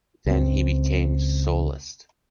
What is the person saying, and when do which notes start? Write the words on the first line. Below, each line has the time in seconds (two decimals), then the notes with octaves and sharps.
Then he became a soloist.
0.26 C#2 C4